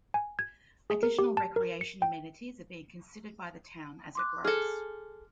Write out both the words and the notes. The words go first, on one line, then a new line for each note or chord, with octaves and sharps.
Additional recreation amenities are being considered by the town as it grows.
G#5
G#6
G#4
A#4
G4
A5
A#4
C#7
G5
C6 D6 F#6
G#4 A4 F6 C#7